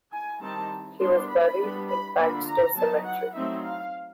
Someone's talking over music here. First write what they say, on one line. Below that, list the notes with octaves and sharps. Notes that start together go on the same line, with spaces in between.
He was buried in Padstow Cemetery.
G#5
D#3 G3 C4 D#4 A5
G3 B3 D4 C6
B5
G3 B3 D4
B5
D3 F3 A#3 D4 B5
A#5
F#3 B3 D#4 A5
F#5
F#3 A3 C4 D#4 E5
F5